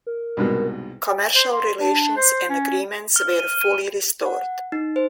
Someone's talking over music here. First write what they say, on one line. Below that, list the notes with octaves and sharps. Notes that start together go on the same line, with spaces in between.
Commercial relations and agreements were fully restored.
A#4
C2 G#2 B2
C5
C6
D4
C5
C#4
F6
D#7
D#7
F#5
D#4
C5